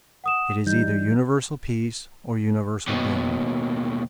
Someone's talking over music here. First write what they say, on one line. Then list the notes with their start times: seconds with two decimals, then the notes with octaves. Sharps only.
It is either universal peace or universal doom.
0.24 F#5 D#6 E7
0.67 E3 G3 D#4 G6
2.87 D#2 B2